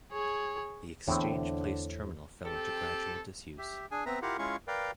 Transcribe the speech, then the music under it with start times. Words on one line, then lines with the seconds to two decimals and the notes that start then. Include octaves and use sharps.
The Exchange Place terminal fell into gradual disuse.
0.12 G#4 C#5
1.08 E2 A2 D3 C4
2.45 C4 G4 A4
3.58 G4 E5
3.91 D4 G#4 G#5
4.06 B3 C4 B4 E5 A#5
4.22 E4 F4 G4 A#4 F5 F#5
4.39 G#3 C#4 E4 F4 F5 C#6
4.68 A#4 B4 D5 F5 G5